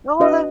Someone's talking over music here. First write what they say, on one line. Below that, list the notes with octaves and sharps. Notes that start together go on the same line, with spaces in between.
No, tha
D4 F#4 B4 D#5